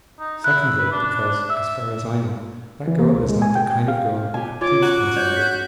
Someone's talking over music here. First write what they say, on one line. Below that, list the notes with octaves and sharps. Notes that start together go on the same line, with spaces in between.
Secondly because, as far as I know, that girl is not the kind of girl who could please Prince Andrew.
D#4
E4 F#6
B4
D4
E5 E6
E3
A#3
C#2
G#3
G#5
G5
F5
G4 G#5
F4 C#5 D6
F#4 A#5
C#4 C#5 G6
F#6 G6 B6